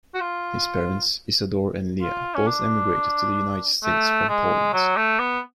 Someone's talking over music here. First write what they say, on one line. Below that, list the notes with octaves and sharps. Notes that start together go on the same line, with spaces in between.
His parents, Isidor and Leah, both emigrated to the United States from Poland.
F#4
F4
F4
C#4
D4
A3
G#3
F#3
A3
B3